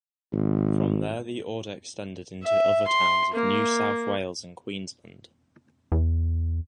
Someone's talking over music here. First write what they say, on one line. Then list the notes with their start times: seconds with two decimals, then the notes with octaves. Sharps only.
From there the order extended into other towns of New South Wales and Queensland.
0.33 G#1
2.43 E5
2.87 C6
3.34 A#3
5.92 E2